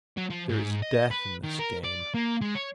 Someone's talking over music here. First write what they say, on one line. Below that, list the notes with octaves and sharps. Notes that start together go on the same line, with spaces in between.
There is death in this game.
F#3
F3
G#2
D#5
B4
D#3
A#4
D5
A#3
G#3
C#5